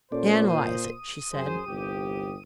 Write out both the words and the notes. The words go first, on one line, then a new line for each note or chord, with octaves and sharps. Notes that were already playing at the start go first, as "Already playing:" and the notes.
"Analyse it," she said.
A#2 C#4 A4 C5 D5
D#6
F#2 G#4 C5
G1 C2 G4